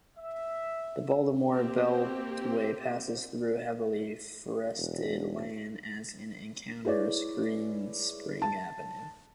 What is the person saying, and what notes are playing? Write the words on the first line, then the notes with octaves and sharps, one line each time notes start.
The Baltimore Beltway passes through heavily forested land as it encounters Greenspring Avenue.
E5
A#3 C4 G4
E1
E4 G#4 B4 C#5 D5
A5